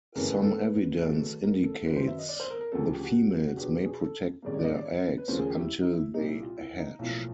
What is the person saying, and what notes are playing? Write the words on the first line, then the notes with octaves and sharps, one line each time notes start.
Some evidence indicates the females may protect their eggs until they hatch.
G1 F#2 C#3 E3 A3 A#4
B4
A4
B4
G#2 D#3 F#3 A3
A#4
A4
F#2 D#3 F#3 B3 B4
C5
E5
D#5
D5
C5
A#4
A#4
D2 C#3 F3 A#3 C#4 A4
G4
G4
F#4
F#4
E2 B2 F#3 B3 D4 G4
G4
G#4
A4
A1 G#2 D#3 G3 A#3 D5
C#5
D5
D#5
D5
C#5
B4
D#2 C#3 F3 A3 C#4 C5
G#4
G4
E4
D#4
E4
C2 A#2 G3 D#4
E4
F4
E4
D#4
B1 A2 F3 A#3 E4